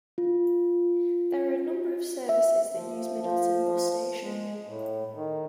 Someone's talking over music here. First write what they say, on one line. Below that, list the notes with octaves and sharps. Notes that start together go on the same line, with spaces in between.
There are a number of services that use Middleton bus station.
F4
E5
F3
F3
G#3
A2
D#3